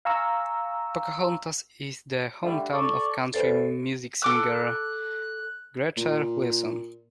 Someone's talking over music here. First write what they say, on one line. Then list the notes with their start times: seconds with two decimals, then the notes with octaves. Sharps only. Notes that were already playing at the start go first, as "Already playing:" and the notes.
Pocahontas is the hometown of country music singer Gretchen Wilson.
0.05 F5 G#5 A#5 C#6 E6
2.43 D3 G3 A3
2.72 A4 D5 C#6
3.34 E2 A4 C5
4.22 A4 D6 E6 F#6
5.97 A#2